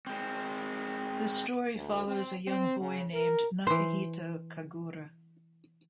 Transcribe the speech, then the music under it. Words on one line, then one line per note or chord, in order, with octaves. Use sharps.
The story follows a young boy named Nakahito Kagura.
G#3 C4
D2
C4
C4
C#3
A#4
E3 C5